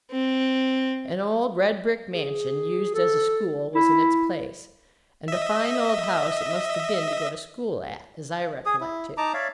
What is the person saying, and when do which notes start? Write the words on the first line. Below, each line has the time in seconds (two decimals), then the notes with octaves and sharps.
An old red-brick mansion, used as a school, was in its place; and a fine old house it must have been to go to school at, as I recollect it.
0.11 C4
2.13 G#4
2.94 A4
3.75 E4
5.28 D#5 E5
8.66 G#4 D#6
8.81 E4
9.17 D#4 A5 A#5 D6
9.34 C#5 D5 E5 F5